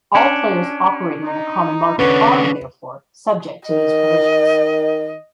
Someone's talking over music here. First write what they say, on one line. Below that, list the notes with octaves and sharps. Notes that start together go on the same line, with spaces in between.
All players operating in the common market are therefore subject to these provisions.
C#4 D4
D#4
D3 C#4 B4 C#5 D5 F#5
D#3 D#5